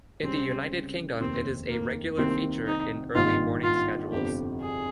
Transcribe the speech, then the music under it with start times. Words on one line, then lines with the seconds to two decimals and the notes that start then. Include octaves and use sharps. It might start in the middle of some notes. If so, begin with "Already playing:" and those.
In the United Kingdom, it is a regular feature in early morning schedules.
0.23 C#2 C3 G3 C4 C#4
1.20 F1 D#2 D#3 C4
1.69 A#3
2.17 C2 C3 D#3 A#3 C4
2.67 D#4
3.15 G#1 G2 D#3 A#3 D#4 F4
3.63 F4
4.12 G1 F2 C3 F3 G4
4.61 G#4